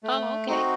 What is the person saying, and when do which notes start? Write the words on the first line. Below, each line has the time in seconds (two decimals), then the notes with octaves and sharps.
Oh, okay.
0.03 A3
0.47 C4 D#4 F#4